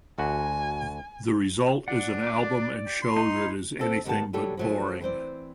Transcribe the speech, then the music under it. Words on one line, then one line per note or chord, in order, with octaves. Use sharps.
The result is an album and show that is anything but boring.
D2 F#4 G#5
D4 D5 F#5
D6
G4
C6
D#4
E4
D2 C4 F4 A4
G#2 D#3 G3 B3 F#5 A5
D3 F#3 G3 A4 C#5
F3 F#3 A3
E3 C4 C5 D5